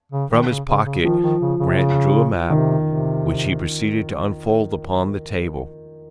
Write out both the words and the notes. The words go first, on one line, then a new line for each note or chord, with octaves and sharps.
From his pocket Grant drew a map, which he proceeded to unfold upon the table.
C#3
D#3
C#3
C#3
C#3
D#3 F3
D#3
C#3
C#3
C3
C#3
C3 D#3
C3